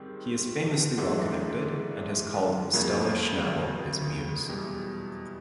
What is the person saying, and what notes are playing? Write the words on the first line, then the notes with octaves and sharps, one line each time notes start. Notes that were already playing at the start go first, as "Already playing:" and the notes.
He is famously well-connected and has called Stella Schnabel his muse.
Already playing: G#2 D#3 G3 C4
G#2 E3 A3 D4 F#4
F#1 F2 C#3 F#3 A#3
E2 B2 G3